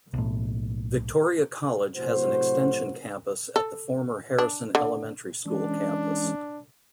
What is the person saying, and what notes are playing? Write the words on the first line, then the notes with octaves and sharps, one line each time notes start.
Victoria College has an extension campus at the former Harrison Elementary School campus.
B1 A2
A2 C3 F#3 F#4 C5
A4
D4
D3
E3 G#3 C#4 D4